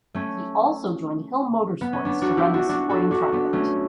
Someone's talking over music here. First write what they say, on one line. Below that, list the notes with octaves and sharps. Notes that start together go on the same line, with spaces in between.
He also joined Hill Motorsports to run the supporting Truck event.
A3 C#4
B3
C#4
B3 D4
D4 F#4
E4 G4
D4 F#4
D4 F#4
F#4 A4
D4 F#4
B3 D4
A3 C#4